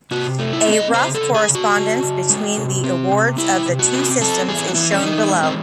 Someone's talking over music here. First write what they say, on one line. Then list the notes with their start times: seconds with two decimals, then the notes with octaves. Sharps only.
A rough correspondence between the awards of the two systems is shown below.
0.11 C3 F#4
0.39 A3
0.53 E4
0.67 C4
0.73 D#5
0.93 C#3 C5
1.15 A4
1.21 C#3
1.34 G#4
1.48 C#3
1.55 F#4
1.76 C#3
2.03 C#3
2.30 G#3
2.57 C3
2.84 C4
3.12 C3
3.38 C3 E4
3.66 C3
3.79 F#4
3.93 C4
4.21 C4 A4
4.48 E3 G#4
4.67 F#4
4.75 E3 E4
4.91 C#4
5.02 E3 D#4
5.30 G#3
5.43 C4